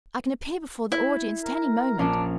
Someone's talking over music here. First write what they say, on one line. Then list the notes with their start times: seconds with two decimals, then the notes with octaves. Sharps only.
I can appear before the audience at any moment.
0.92 E4
1.44 A#4
1.99 A#1 C#4 D4 F5